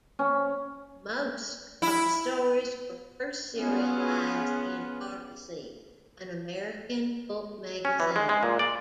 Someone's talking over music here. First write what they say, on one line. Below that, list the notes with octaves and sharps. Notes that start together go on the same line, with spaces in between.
Most of the stories were first serialized in "Argosy", an American pulp magazine.
C#4
E4
B3 C#4 F4 G#4 F#5
C#4
E3
G#3
G#3
A#2
D5